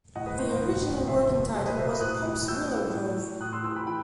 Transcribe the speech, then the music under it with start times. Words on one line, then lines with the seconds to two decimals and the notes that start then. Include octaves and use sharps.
The original working title was "Pop's Willow Grove".
0.15 A2 D#5 F#5
0.26 B4 D#5
0.38 A2 C5
0.50 C5
0.61 A2
0.85 A2
1.07 B2 C5 E5
1.31 B2
1.54 B2 C5
1.66 B4 D#5
1.77 B2 C5 E5
1.89 B5 D#6
2.01 A2 D#6 F#6
2.25 E3
2.48 A2 E6 G6
2.70 E3
2.95 A2
3.18 A2
3.40 A2 D#6 F#6
3.53 C6 E6
3.64 E3 C6 E6
3.76 G5 B5
3.87 E3 G5 B5